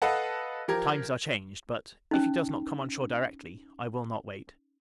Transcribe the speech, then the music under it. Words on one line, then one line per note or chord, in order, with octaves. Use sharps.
Times are changed; but, if he does not come on shore directly, I will not wait.
A4 B4 D#5 F5 F#5 A5
F3 G4 A#4 G#6
C#4 D#4